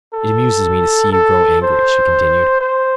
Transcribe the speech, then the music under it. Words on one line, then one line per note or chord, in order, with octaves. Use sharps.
"It amuses me to see you grow angry," she continued.
A4
A4
C5
C5